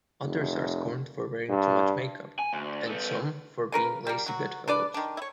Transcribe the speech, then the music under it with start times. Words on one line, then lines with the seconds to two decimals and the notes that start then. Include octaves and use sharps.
Others are scorned for wearing too much makeup, and some for being "lazy bedfellows".
0.23 F1
1.49 G2
2.39 G#5
2.53 D2
2.87 B3 A4
3.72 C#3 A#4 B4
4.07 G3 A#3
4.26 F#3 F#4
4.68 D4 B4 D5
4.94 D#3 D4
5.17 E4 C#5